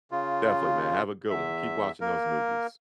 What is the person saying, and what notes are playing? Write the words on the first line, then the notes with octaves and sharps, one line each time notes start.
Definitely, man, have a good one. Keep watching those movies.
C#3 F4
E2 E5
A#3 A#4